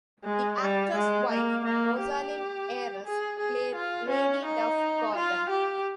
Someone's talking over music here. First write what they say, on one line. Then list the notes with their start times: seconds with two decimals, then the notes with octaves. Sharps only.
The actor's wife, Rosalind Ayres, played Lady Duff-Gordon.
0.24 G#3
0.60 G3
0.95 G#3
1.30 A#3
1.65 A#3
2.00 G4
3.06 G#4
3.39 G#4
3.75 F4
4.09 C#4
4.45 D#4
5.15 F4
5.50 G4